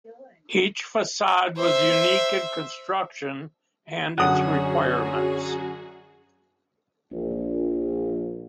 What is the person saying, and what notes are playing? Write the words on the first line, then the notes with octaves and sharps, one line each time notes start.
Each facade was unique in construction and its requirements.
C5 E5
F#2 D3 C#4 F#4 G#4 F#5 D#6
A#1